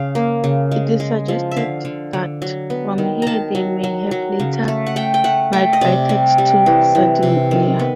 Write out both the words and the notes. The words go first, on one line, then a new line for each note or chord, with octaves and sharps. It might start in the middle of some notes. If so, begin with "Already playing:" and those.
It is suggested that from here they may have later migrated to Sardinia.
Already playing: C#3 F5
A#3
C#3
G#3
G#3
F3
E5
D3 F5
D3
D3
F#3
B3
D#3
D#3 A5 A#5
F#3
F#3
F#3
C#3
A3
F#5
A3 G5
G5
A3 F#5
A3 G5
D#5
C3 D5
G3
G3
E3
E3
C3
D#3
B3